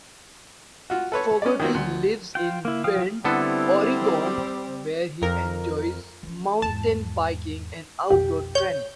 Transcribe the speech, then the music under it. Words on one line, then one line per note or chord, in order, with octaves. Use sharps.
Fogarty lives in Bend, Oregon, where he enjoys mountain biking and outdoor training.
F4 F#4
A4 B4 C#5
C#4 D5
D#3 F#3 A#3 C4 F4
D2
F4 G5
A#3 E4
F3 F5 G5 D#6 F6
D3 G3 B3 C4 E4 A4
F2 A#4
E3 C#4
E2 G#2 A5
B1 F2 G4
C#5 G6